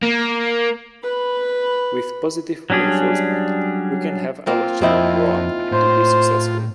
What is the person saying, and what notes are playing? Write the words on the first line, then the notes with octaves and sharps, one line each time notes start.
With positive reinforcement, we can have our children grow up to be successful.
A#3
B4 B5
F#3 G3 C#4 D4 G#4
A#3 C4 F4 A#4
F2 C4 D#4 E4
A2 C5